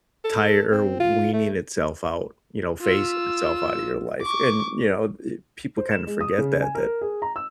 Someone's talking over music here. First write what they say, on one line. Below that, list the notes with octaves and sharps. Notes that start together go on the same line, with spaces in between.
tire or weaning itself out, you know, phasing itself out of your life. And, you know, eh, people kinda forget that that
A4
C4
F4
A3
F4 E6
C#6 D6
C5
E7
G#3
D#6
C#3
G#5
A#4
G#4
A#5
E6